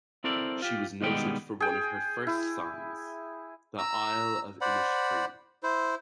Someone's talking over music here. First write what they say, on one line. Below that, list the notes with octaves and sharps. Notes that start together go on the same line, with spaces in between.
She was noted for one of her first songs, "The Isle of Innisfree".
C4 E4 A4 A#4 C5 D5
F4 G4
B2 D#3 G3 G#3 B3 G5
G#4 G5
E4
A#5 E6
C5 D5 F#5 B5
E4 C5